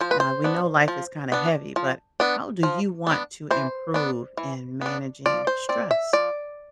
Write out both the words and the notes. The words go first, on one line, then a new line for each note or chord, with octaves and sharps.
now, we know life is kinda heavy, but how do you want to improve in managing stress?
F3 C5
B4
C5
B3 D4
F3
B3 D4
F3
B3 D4
F3
B3 D4
E3 C5
B3 D4
E3
B3 D4
F3 D5
C5
C4 D5
E5
F3 D5